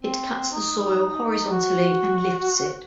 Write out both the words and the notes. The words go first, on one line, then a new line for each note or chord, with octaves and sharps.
It cuts the soil horizontally and lifts it.
C4
D#4
F#4